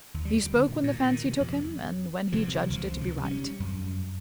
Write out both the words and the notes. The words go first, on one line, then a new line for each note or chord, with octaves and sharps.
He spoke when the fancy took him and when he judged it to be right.
D#2
G3
D2
D3
A#2
A#2
A#2
D#3
C3
F2
C3 E3 F3
C#2 F3
C3 D#3
G3 C#4
F#2